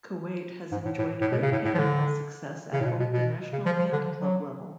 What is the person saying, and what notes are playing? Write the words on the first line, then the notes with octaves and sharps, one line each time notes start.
Kuwait has enjoyed great handball success at both the national and club level.
G#2
A2
A2
A2
B2
C#3
A2
A2
F3
D3
C#3
A2
B2
B2
B2
C#3
F3
F3
D3
F3
F#3